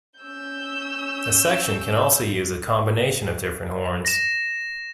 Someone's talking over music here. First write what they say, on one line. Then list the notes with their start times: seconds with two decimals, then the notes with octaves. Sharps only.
The section can also use a combination of different horns.
0.19 C#4 E6 G6
4.05 A#6 E7